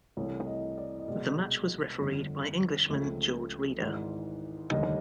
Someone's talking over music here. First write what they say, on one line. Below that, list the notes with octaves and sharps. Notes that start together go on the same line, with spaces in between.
The match was refereed by Englishman George Reader.
C2 C3 E3 A3 C#5
D#5
D5
D#5
C2 B2 G#3 D5
G1 F2 D3
C#2 C#3 F3 A3
G#1 G#2 E3
F1 D#2 D3 G3 D#5